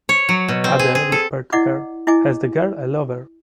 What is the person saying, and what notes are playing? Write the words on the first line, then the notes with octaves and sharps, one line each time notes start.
Adele whispered to her: "Has the girl a lover?"
C#5
F#3
B2
C4
G#4
G#4
A4
E4 D5 D#5 F#5 D6
E4 D#5 G#5 D6